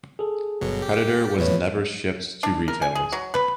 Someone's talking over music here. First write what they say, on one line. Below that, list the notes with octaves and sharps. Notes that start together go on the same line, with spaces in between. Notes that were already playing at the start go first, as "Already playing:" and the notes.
Predator was never shipped to retailers.
G#4 A4
G1 B2 F#3
G4
E2 A2 E3 B4 C#5
D4
A#4
G#5
G#4
F#3
B4